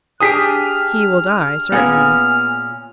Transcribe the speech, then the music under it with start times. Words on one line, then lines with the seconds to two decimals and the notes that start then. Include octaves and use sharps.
"He will die, certainly."
0.20 D4 G4 G#4 D#6 F6 B6 D7
1.72 A#2 B3 C#4 G#4